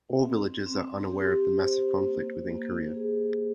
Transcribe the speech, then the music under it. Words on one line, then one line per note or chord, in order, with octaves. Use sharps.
All villagers are unaware of the massive conflict within Korea.
C4
C4
G4
C5
A#3
A#3
G#4